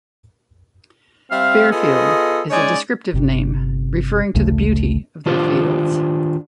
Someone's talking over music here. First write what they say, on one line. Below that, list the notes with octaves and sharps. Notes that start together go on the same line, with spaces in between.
Fairfield is a descriptive name referring to the beauty of their fields.
G3 C4 E5 F5
B3 F4 G#4 A4 D#5
G#3 C#4 D#4 C#5 D5 G#5
G1 C3
A1 D2 C#3 A3
D#3 D4 F4 G4 C5